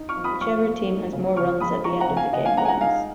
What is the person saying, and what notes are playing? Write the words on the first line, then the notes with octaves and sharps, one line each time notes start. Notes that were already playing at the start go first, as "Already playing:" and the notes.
Whichever team has more runs at the end of the game wins.
Already playing: D#4
C#6 F6
F3
B5 D#6
F3 C#6 F6
A#3
D#4
C#3
C#3 C#6 F6
G#3 B5 D#6
D#4 A#5 C#6
F#5 A#5
C#3
F5 G#5
C#3 D#5 F#5
F5 G#5
G#3 F#5 A#5
G#5
F#5 A#5
D#4 F5 G#5